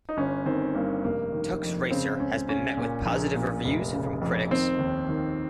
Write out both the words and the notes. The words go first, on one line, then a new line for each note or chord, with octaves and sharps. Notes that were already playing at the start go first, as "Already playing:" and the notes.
"Tux Racer" has been met with positive reviews from critics.
D#4
G1 C#4
D#3 C4
G2 A#3
F1 A#3
D#3
F2
C#3 C4
C#2 C#4
C#3 C#4
A#2
A#1
A#2
F1
C#3
F2
D#3 C4
D#2
D#3